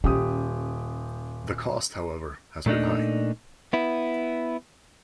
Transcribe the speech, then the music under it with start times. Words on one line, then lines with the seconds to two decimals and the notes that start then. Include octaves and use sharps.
The cost, however, has been high.
0.04 D#1 C#4 G4 D#6
2.66 A#2 A3 D4 D#4
3.73 B3 E4